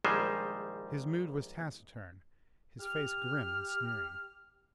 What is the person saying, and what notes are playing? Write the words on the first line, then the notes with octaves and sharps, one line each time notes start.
His mood was taciturn; his face grim and sneering.
A#1 D#3 G3 G#3 C5 G#5
G4 F6